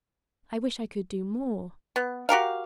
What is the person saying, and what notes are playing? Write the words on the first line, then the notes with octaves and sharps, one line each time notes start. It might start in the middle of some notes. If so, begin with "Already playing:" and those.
'I wish I could do more.'
B3
F#4 G4 A#4 F5